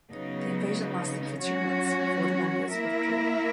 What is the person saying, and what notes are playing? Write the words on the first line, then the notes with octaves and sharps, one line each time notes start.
The invasion lasted for two months before the Mongols withdrew.
C#3 F#3 B3 D#4
F#3 C#4 F#4 C#5
A#3 E4 A#4 E5